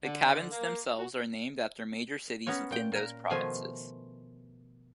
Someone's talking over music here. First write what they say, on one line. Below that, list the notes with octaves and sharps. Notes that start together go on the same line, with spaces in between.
The cabins themselves are named after major cities within those provinces.
D3
A#3
F#4
B3 C#4 A#4 C#5
A#2 G5
A#2 A#4
B2 D#3 F3 A3 F4 G#5